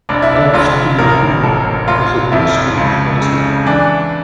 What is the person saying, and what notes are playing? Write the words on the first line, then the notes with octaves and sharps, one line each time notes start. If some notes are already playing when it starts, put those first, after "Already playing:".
The first plane it owned was a Bristol Freighter.
F1 D4
E4
D4
F1 F4
A1 A#4
A1 A4
F1 F4
F2 E4
C#2
C#3
E3 D4